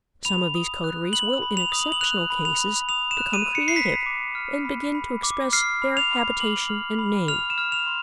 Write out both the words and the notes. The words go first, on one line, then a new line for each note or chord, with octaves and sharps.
Some of these coteries will in exceptional cases become creative and begin to express their habitation and name.
B5 F7
D#6
F#6
B5 F#7
B5
F7
D#6
F#7
F#7
F#6 F7
B5
F7
B5
D#6 F7
E7
F#6
D#7
B5
C#7
C7
B5 B6
D6
F6
B5
B5
D6
F6 C7
B5
F7
B5
D6 F#7
F6
B5
F6 F7
E7
F6
F7
C6